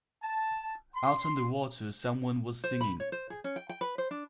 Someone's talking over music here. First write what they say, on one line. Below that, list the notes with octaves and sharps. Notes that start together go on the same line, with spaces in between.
Out on the water someone was singing.
A5
C6
C5
B5
C#5
C5
G#4
C#4
G5
G5
B4
C5
D4